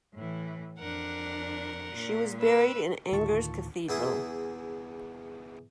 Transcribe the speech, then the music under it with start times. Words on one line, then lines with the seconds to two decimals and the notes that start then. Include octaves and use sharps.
She was buried in Angers Cathedral.
0.14 A2 E3
0.79 F2 D4 A#4 F#5
1.94 A#2
2.39 B4 E6
3.12 D2 A2 D#3 F4 A5 C#6
3.89 E2 E4 G#4 E5 D#6